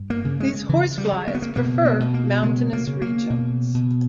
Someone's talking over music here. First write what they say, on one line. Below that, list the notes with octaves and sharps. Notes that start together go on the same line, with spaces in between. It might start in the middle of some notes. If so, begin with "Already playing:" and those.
These horse flies prefer mountainous regions.
Already playing: G2
A#3
C#3
G#3
C#3 E3
G3
C#3
A#3
B3
A#3
B2 A#3
A#3
B2
A#3
C#3 G#3
A#3
C#3
A#3
B2
B2